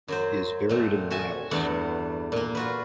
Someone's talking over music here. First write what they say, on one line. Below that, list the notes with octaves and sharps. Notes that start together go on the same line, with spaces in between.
He is buried in Niles.
F#2 F#3 C5
A#2 A3 C4
F#4 E5 G#5 A5
E2 G2 A3 F#5
A#2 A#3
F4 F#4 B4